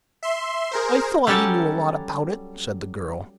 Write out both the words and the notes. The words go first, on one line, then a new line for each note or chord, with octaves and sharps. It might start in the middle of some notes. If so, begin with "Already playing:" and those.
"I thought he knew a lot about it," said the girl.
E5 C6
G#4 A#4 C5
F#3 G3 C#4 A4 G5 A5